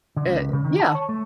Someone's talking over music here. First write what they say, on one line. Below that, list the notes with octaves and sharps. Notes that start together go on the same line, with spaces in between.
eh yeah.
D3
C#2
C#3
D#3
A5
C#5
A3